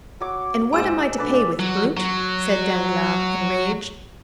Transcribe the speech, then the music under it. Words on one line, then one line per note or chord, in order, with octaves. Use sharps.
"And what am I to pay with, brute?" said Danglars, enraged.
F#3 C#5 D6
G#2 G#3 F#4 C5 G#5 E6 E7
B2 A3 D4 B4 D5 D6
F#3
F#3